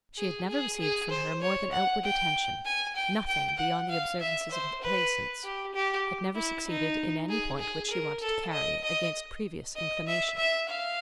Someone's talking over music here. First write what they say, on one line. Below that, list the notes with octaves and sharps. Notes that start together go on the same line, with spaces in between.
She had never received from her more than outward attention, nothing beyond the observances of complaisance; had never succeeded in any point which she wanted to carry, against previous inclination.
G#4
G#4
G#4
C5
C#5
F#5
G5
G#5
G5
G5
F#5
F5
E5
C5
B4
G4
G4
E4
D#4
G#4
G#4
A#4
A4
D#5
D#5
D#5
E5
E5
F5